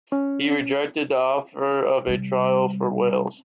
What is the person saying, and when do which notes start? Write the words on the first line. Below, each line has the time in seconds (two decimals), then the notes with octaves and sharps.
He rejected the offer of a trial for Wales.
0.12 C#4
2.07 C3 G3